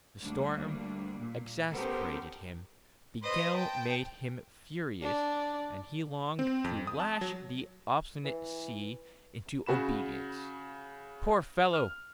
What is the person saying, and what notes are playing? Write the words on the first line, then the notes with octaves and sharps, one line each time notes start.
The storm exasperated him, the gale made him furious, and he longed to lash the obstinate sea into obedience. Poor fellow!
D2 G3 A#3 D4
A#2
B3 C#4 G4 A4 A#4 C5
B4 C5 D#5 C6
G5 A5
D4
C4
F2
D#6
A5
F#3
E3
C#3 F#4 B5 E7
F6